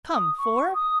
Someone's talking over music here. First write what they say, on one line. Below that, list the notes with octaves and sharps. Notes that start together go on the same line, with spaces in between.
Come, four?
D#6
C#6
D#6